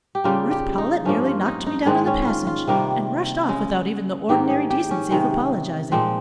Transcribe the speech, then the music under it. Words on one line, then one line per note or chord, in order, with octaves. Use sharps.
"Ruth Powlett nearly knocked me down in the passage, and rushed off without even the ordinary decency of apologising."
G4
C#3 G3 A#3 F4
G4
D#4
G2 F3 A#3 C#4
F4
D#4
D#4
G#2 D#3 G#3 C4
C#4
F4
F4
C3 D#3 G3 A#3
C#3 G#3
G#2 D#3 A#3 G4
G#4
G4
C#4
C3 D#3 G#3
A#2 F3 G#3 C4